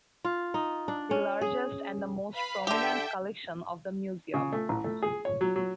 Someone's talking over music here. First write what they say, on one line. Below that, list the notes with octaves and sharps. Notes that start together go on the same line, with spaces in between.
The largest and the most prominent collection of the museum.
F4
D#4
D4
C#4
G#4
B4 F5 B5
D3 G4 A4 E5 G5
C#3
A3
A1
A3
G#4
C#5
F#3
F#3